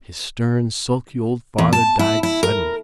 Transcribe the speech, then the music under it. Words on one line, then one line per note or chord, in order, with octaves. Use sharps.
His stern, sulky old father died suddenly.
E2
A5
E4
E4
A#4